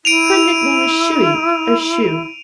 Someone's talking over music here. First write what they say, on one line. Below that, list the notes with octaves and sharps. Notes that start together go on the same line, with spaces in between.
Her nickname is 'Schuey' or 'schu'.
E4 D7 D#7 F7